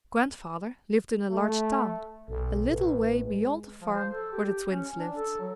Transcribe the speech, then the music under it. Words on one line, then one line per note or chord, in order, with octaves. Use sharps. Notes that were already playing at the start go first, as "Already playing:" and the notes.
Grandfather lived in a large town, a little way beyond the farm where the Twins lived.
A3
B1 A4
A1 B4
G#3
F3
C5
A4
G4
C#4
D4
A4
F#3